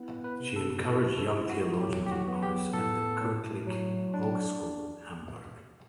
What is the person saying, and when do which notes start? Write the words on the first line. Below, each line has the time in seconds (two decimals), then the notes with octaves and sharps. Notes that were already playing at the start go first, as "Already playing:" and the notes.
She encouraged young theologians and artists at the Kirchliche Hochschule Hamburg.
Already playing: B3 E4
0.24 B4
0.40 C3
0.56 A4
0.86 E4 A4
1.18 A4
1.34 E4
1.49 F#4
1.80 F#3 G4
2.06 G4
2.11 F#4
2.27 B3
2.43 G4
2.74 A2 A4
3.20 A2
3.67 F#3
4.14 D4